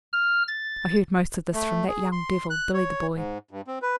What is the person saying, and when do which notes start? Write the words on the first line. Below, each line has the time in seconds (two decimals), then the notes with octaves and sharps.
'I heard most of this from that young devil, Billy the Boy.
0.13 F6
0.48 A6
1.53 A3
1.89 G#4
2.12 C6
2.50 F#6
2.74 C#5
3.15 G#2
3.51 G2
3.67 C4
3.82 B4